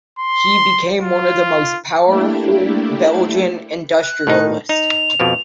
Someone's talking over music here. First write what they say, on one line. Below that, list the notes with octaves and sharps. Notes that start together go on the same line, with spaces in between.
He became one of the most powerful Belgian industrialists.
C6
F4
A3 A#3 D4 E4 G4
F#6
A2 D#3 D#4
D#4 F7
F2 B2 F3